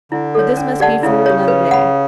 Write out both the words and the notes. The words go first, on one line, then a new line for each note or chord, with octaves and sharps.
But this must be for another day.
D3 E4
A4 C#5
C#4
G4 D5 F#5 A5
C#3 E4
G4 C#5
B4
F#5 B5